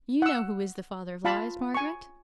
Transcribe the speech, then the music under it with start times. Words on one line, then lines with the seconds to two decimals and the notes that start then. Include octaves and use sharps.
You know who is the father of lies, Margaret?
0.22 F#5 E6
1.25 F4 F5 A5 B5
1.74 G#5 C#6